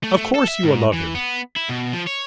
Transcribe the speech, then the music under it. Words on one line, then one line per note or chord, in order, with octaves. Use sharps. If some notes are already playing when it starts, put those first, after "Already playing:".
Of course, you will love him.
A3
A3
A4
E5
G#2
E3
B3
E4
B2
F3
C#5